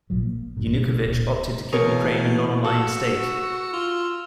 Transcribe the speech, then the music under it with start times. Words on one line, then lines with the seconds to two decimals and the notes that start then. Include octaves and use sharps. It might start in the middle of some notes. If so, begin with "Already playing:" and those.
Yanukovych opted to keep Ukraine a non-aligned state.
0.10 A#1 A#2 F3 F#3
0.23 A#3
0.57 A1 G2 A#2
0.77 B2
1.06 D1 A#2
1.72 B2 E3 A3 G#4 A#4 C#5
2.64 F#4 A4 E6
3.73 F4